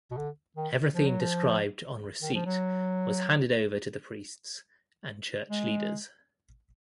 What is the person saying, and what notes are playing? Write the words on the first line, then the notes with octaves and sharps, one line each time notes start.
Everything described on receipt was handed over to the priests and church leaders.
B2
D3
D#3
F3
F#3
F3
D#3
F3
F#3
G#3